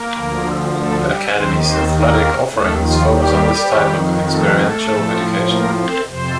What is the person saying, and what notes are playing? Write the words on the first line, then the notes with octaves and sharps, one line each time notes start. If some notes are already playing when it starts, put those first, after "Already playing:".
The Academy's athletic offerings focus on this type of experiential education.
Already playing: A#3 A#4
D2 D3 F3
A3 A4
G3 G4
D#2 D#3 C4 C5
C4 C5
A#3 A#4
D#2 D#3 A3 A4
F3 F4
G3 G4
F2 D#3
A3 A4
A3 A4
A2 F3
A#3 A#4
C4 C5
F2 C3 C5